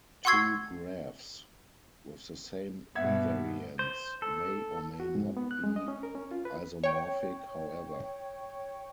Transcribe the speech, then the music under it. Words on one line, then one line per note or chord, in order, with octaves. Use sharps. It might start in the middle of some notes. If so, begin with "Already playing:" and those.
Two graphs with the same invariants may or may not be isomorphic, however.
F#5 C6 C#6 E6 G#6 C7
G2 B2 E5 F#5 G#6
C5
A4
F#4
G#2
B3
F#6
G#3
D#5
C#4
A#4
C#4
F4
B4
C#5 G5